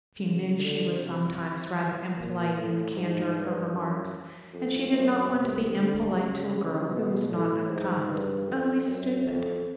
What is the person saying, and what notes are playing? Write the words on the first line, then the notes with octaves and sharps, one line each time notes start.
She knew she was sometimes rather impolite in the candor of her remarks, and she did not want to be impolite to a girl who was not unkind--only stupid.
C#3
D3
C3
A#2
A2
G#2
G2
F#2
F2
F#2
C3
D3
C#3
C#3
B2
A2
G#2
G2
F2
F#2
F2